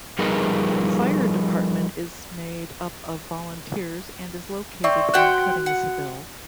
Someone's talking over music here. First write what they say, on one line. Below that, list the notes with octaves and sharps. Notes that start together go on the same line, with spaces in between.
The fire department is made up of volunteers and is located in Cuttingsville.
F3 G3 D#4 G#4 A#4 B4
C4 D5 E5 C#6
F#4 C5 F#5 G5 F#6
F#5